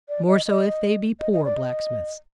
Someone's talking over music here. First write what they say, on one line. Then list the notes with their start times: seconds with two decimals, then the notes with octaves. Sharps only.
"More so if they be poor blacksmiths."
0.09 D5
0.28 D#5
0.46 D#5
1.20 D#5
1.33 D#5
1.45 D5
1.57 D#5